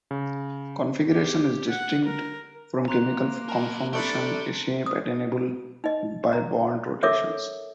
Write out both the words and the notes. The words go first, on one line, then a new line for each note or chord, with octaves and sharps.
Configuration is distinct from chemical conformation, a shape attainable by bond rotations.
C#3
G4
F#5
A#4
A#3 A#5 C6 F#6
E4 A#4 A5
A3 D4 G4 B5 C#7 D7
D#6
D#4 D#5
A#5
A4 A#4 C#5 E5 D6